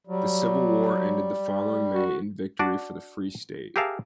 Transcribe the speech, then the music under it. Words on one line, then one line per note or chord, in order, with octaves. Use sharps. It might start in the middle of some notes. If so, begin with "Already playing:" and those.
The Civil War ended the following May in victory for the Free State.
F#3 G3
F#4
D4 F#4 D5
G4 G#4 A#4 E5 F5 A5